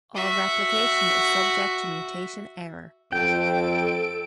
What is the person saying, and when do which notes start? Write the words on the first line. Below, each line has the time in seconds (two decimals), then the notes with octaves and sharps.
All replication is subject to mutation error.
0.15 F#4 E5
3.12 F2 A4 G5 D7